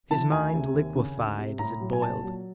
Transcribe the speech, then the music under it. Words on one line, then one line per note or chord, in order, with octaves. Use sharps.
His mind liquefied as it boiled.
E3 A5
D2 G#5
C3
D#2
C#3
D2
C3
A2 A#5
F#3
G#5
A#2 A5
F#3